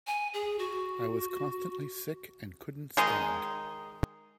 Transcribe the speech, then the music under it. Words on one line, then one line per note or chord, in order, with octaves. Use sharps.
I was constantly sick and couldn't stand.
G#5
G#4
F#4
D#3 G#3 D#4